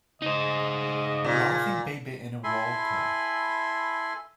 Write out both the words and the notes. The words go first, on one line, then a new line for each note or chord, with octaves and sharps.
A laughing baby in a walker.
C#3 D#4 C5 D#5
A#2
E4 A4 G#5 B5 C6